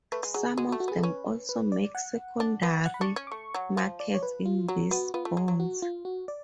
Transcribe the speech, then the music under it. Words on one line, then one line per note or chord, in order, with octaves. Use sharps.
Some of them also make secondary markets in these bonds.
A3 B4
G#3
F#3 G#4
G#3 F#4
F#4
A3
F#4
B3 G#4
A4
C#4 B4
B4
D5
F#5
D4
B3
F#5
B5
D4 C#6
C#4 C#6
D6
A3 C#6
F#3
F3
D5
C#5
B4
F4
F#3 F#4
B3 F#4
B3 F4
A3
G#3
F#3
F#4
F4
F#4
D5